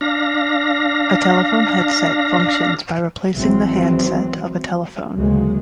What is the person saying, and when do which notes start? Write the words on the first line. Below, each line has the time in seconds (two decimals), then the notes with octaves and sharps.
A telephone headset functions by replacing the handset of a telephone.
0.01 D4 F5 A#6
3.34 G#1 E3 F#3 C4
5.15 D2 C#3 F#3 G#3 A#3